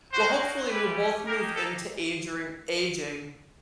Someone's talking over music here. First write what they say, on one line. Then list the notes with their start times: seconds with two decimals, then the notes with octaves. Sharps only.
Well, hopefully, we'll both move into age ring aging
0.13 A#3 D#4 F#4 C5
0.70 A3 C#4 E4 G4 B4
1.26 A#3 D#4 G4 A#4
1.56 A4